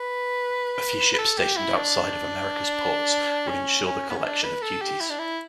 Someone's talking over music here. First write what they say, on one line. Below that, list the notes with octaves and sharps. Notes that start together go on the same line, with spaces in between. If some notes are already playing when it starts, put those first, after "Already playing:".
A few ships stationed outside of Americas ports would ensure the collection of duties.
Already playing: B4
B4
A4
G4
E4
D4
C#4
C#4
B3
C#4
D4
B4
A4
G4
E4
D4
E4